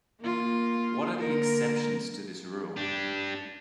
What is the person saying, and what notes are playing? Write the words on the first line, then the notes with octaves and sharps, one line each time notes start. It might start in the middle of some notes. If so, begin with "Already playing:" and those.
What are the exceptions to this rule?
A#3 F4
D3 A#3 A#4
D4 G4